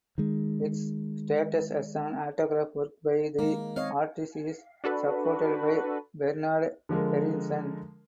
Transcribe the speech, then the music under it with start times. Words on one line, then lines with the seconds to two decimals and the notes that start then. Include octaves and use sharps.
Its status as an autograph work by the artist is supported by Bernard Berenson.
0.18 D#3 G#3
3.39 D#3 G#3 A#3
3.76 C4 C#5 D#5 F5
4.84 D4 F#4 A4 B4
6.89 D3 F3 G#3 A#4